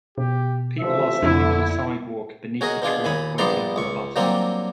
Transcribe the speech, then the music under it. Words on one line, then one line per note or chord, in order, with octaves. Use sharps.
People are standing on a sidewalk, beneath a tree, waiting for a bus.
B2 G4
A1 C3 F3 E5
F2 D3 A3 E4
C#4 F#4 G#4 A#4 D#5
B2 D4 F4 G#4
D#2 A#2 G#5 B5
A#1 G2 B3 D5 A#5 C6
C#2 C#6
F#3 G3 A#3 C4 D4